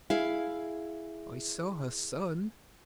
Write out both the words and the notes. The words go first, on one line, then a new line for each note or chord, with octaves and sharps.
"I saw her son."
E4 G#4 F5